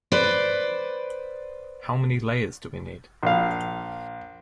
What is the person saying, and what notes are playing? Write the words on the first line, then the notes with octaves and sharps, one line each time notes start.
How many layers do we need?
B4 C5 D5
A#1 F5